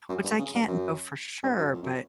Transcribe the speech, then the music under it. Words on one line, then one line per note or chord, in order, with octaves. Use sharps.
which I can't know for sure, but
F#2
G2
C#3
G2
F#2
G2
F#2
F2
F#2